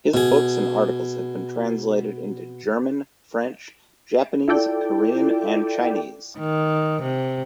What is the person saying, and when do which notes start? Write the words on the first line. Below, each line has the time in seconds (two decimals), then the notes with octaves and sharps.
His books and articles have been translated into German, French, Japanese, Korean and Chinese.
0.14 B2 G#4
4.48 E4 F4 A4 D5 G5
6.39 D#3
7.03 C3